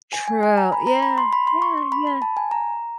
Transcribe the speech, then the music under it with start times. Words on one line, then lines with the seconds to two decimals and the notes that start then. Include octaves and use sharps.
True. Yeah. Yeah, yeah.
0.13 G#5
0.28 G#5
0.43 G#5
0.58 A#5
0.72 B5
0.87 A#5
1.03 B5
1.18 C6
1.33 B5
1.47 C6
1.62 C#6
1.78 C6
1.92 B5
2.07 B5
2.22 A5
2.37 G#5
2.51 A#5